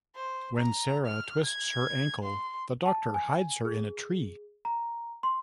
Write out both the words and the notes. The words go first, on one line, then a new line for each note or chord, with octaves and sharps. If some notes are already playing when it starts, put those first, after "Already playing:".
When Sarah twists her ankle, the Doctor hides her in a tree.
C5
A#5
F6
G#6
C6
A5
G#5
G#4
A#5
C6